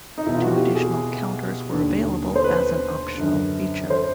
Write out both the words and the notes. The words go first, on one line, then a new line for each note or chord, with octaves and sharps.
Two additional counters were available as an optional feature.
D#4
E2 B2 E4
F4
F#4
G4
G#4
D#2 D3
C5
B4
F#2 D3
C5